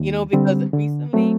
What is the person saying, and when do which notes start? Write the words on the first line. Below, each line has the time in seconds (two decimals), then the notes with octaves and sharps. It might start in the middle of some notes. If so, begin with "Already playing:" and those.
You know, because, recently,
Already playing: D#2
0.33 D3 G3 C4
0.73 D3
1.13 F#3 A3 C4